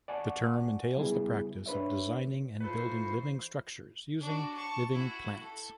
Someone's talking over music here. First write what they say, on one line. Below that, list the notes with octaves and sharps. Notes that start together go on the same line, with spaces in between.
The term entails the practice of designing and building living structures using "living plants".
D5 F#5 G#5 A5 C#6
C#3 F#3 G3 B3 E4 G#4
D4 B4 C#5 E5
E3 D#4 F4 A4 B4 C5 B5 C#6
D4 F#4
A5 C#6
E4 F#4
A4